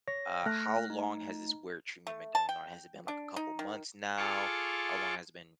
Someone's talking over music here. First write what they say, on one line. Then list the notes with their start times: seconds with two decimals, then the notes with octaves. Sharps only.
uh, how long has this work treatment been going on? Has it been, like, a couple months now? How long has it been,
0.08 C#5 A#6
0.46 A3 F6 F#6 A#6
0.90 D#4
2.07 A3
2.35 A5
2.49 G5
3.08 D4
3.36 D#4
3.59 D#3
4.17 F4 G#4 A4 F5 C#6 D6